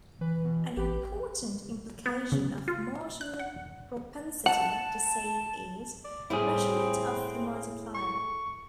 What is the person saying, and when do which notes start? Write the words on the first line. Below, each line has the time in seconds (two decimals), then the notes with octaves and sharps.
An important implication of marginal propensity to save is measurement of the multiplier.
0.21 E3 B4
0.44 B2
0.77 A1 G4 B4
2.06 B3
2.32 C#3
2.68 F4
3.21 F#6
3.39 F#5
4.46 F#5 A5
6.04 D5
6.30 A2 G3 C4 E4 G#4
7.95 C#6